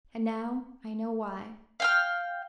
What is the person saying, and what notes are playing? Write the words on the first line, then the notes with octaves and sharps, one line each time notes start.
And now I know why.
F5 G5 F6